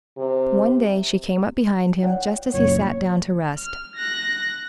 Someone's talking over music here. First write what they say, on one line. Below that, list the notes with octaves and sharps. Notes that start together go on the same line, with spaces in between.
One day she came up behind him just as he sat down to rest.
C3 G4
C#5 F#5 G5
F#1 A#2 C#5
F6
F#6 A#6